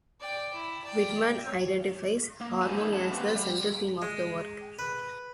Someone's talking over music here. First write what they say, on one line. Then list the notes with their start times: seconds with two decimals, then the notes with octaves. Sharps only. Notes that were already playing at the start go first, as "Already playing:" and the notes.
Widmann identifies harmony as the central theme of the work.
0.20 D5 G5
0.54 E4
0.84 D5 G5
1.45 C#5
2.41 A#3
2.62 E2 A2 E4 C5 G#5 A5
2.76 F#2 D#4 E4
2.93 C#4 E4 C5 C#5 F#5 A5
3.11 A3 A#3 C4 F#4 G4 B4
3.35 G3
4.02 G#3
4.79 B4